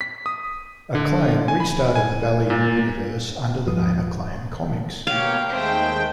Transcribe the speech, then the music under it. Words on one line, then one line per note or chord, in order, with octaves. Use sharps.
Acclaim restarted the Valiant universe under the name Acclaim comics.
B6
D#6
D3
G#5
B5
G#5
A#2
D#2 G#2 F3 B4 D#6
B2 A#3 G4 C#5 F5
D#2 G#3 A3 C4 G5